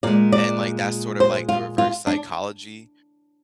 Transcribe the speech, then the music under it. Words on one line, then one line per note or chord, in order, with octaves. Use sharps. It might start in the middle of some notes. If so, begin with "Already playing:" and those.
And, like, that's sort of, like, the reverse psychology
A#2 G#3 D5
D5
C5
F4
F4
D4